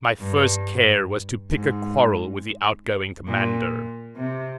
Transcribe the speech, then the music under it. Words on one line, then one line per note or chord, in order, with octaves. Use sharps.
My first care was to pick a quarrel with the outgoing commander.
G2
G#2
A#2
C3